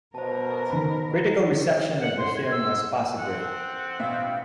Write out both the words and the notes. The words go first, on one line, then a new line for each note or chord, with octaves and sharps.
Critical reception of the film was positive.
B2 A#4 C5 A5
D#3 B5
F#5
C6
G#6
E6
C4 A4 F#5
A1 B2 E5 F5